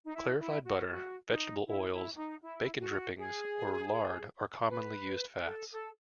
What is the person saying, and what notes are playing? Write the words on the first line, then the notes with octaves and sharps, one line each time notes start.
Clarified butter, vegetable oils, bacon drippings or lard are commonly used fats.
D#4
E4
E4
F#4
F#4
D#4
E4
E4
D#4
E4
F#4
G#4
B4
A4
A4